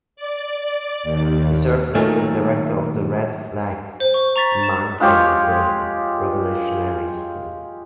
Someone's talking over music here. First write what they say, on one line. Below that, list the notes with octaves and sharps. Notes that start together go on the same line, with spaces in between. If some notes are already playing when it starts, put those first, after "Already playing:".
He served as the director of the Red Flag Mangyongdae Revolutionary School.
D5
D#2
A#2 D#3 F#3 A3
C5
C#6
A#5 C#6 A6 B6
A6 E7
G#3 F4 G4 C#5